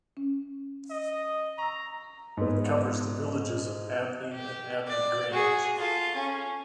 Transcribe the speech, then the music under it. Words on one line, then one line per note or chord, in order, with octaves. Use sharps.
It covers the villages of Abney and Abney Grange.
C#4
D#5
A#5 C#6 E6
G#2 B3
G4
D5
F#4 G#4
F4 A4
C#4